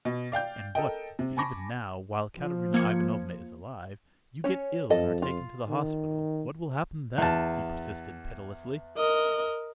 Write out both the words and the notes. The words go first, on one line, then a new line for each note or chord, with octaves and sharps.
"And, what, if even now, while Katerina Ivanovna is alive, you get ill and are taken to the hospital, what will happen then?" he persisted pitilessly.
B2
D5 F5 G5 G6
A4 A#4 D#5 G5
C3
G#5 A5 B5 C#6 D6 A#6
F3
A#3 G#6 C#7
C#4 C#5
F2 A4 D#5
F4
D#3
E2 A5
A#4 D#5